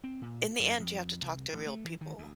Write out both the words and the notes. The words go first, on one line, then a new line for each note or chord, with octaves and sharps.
in the end, you have to talk to real people.
C4
A#2
F#2
F2
C2
A1
A3
E3
D#3
D2